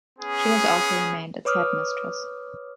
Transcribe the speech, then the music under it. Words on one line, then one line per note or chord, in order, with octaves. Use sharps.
She has also remained its Headmistress.
B3 C#4 G#4
B4 C#5 D6 D#6 F6